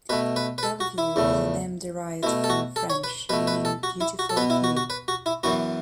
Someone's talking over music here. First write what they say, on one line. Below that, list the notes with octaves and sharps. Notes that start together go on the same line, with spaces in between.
Bellevue is a name derived from French meaning "beautiful view".
B2 A3 B4
B4
B4
A4
F#4
E4
E2 C#3 A3
B2 A3 E4
A4
F#4
A4
C#5
B4
B2 A3 B4
B4
A4
F#4
E4
F#4
A4
B2 B3 B4
E4
F#4
F#4
B4
F#4
E4
F#2 E3 B3 F#4